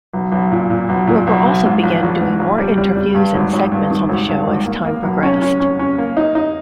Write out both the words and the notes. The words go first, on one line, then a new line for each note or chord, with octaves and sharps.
Roker also began doing more interviews and segments on the show as time progressed.
B1
B1
A#2
A#2
B1
A#2
B1
B1
G#2
A#1
A#1
G#2
A#1
G3
G3
G3
G2
G#1
G#1
G2
D#3
G#1
G2
G#1
A#3
A#3
B1
C#4
C#4
C#4
C#4
A#3
D#4
D#4